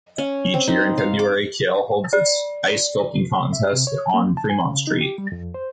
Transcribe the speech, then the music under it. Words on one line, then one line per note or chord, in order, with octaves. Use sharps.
Each year in February, Kiel holds its Ice Sculpting Contest on Fremont Street.
C#4
C4
D#4
F5
D6
D5
E5
C3
C#5
A#3
A5
G#5
C#3
D#4
G4
G3
F2
C5